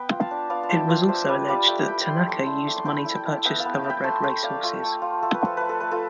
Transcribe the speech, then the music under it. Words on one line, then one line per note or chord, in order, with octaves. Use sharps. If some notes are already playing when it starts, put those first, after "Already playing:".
It was also alleged that Tanaka used money to purchase thoroughbred race horses.
Already playing: B3 G5 B5
F4
F5 A5
D4
B3 D5 F5
A5
F4 E5 G5
F4 D5 F5
D4 C5 E5
G3 B4 D5
G3 D5 F5
A3 E5 G5
E4 G5 B5
E4 C6
A3 A5 C6
E4
A3
C6
E4 G5 B5
E4
G5 B5
E4
B3 E5 G5
F5 A5
B3
G5 B5
E4
G5 B5
A3 A5 C6
A3 G5 B5
A3 D5 F5
A3 F4 A4
A3
F4
A3 A4
B4
F3 A4
A3 B4
A4
A3 B4
F4 A4